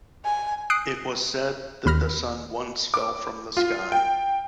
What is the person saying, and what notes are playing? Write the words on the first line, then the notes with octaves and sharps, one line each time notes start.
It was said that the sun once fell from the sky.
G#5
D#6 F#6 C7 D7
D#2 B5 F6 A#6
D6
F4
G5